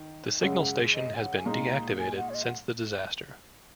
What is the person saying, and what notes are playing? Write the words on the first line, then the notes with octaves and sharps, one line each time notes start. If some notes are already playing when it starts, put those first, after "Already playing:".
The signal station has been deactivated since the disaster.
Already playing: D#3
F#2 C#3 G#3 F#5
D#5
G#5
F#5
G#5
A#2 G#3 D#4 A#5
G#5
F#5
C#5
D#5
F#5